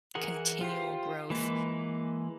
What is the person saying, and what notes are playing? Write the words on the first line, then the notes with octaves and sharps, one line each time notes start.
continual growth,
E3 G#4 A#4 F#5
F4 G4 C5
E3 G#3 A#3 B4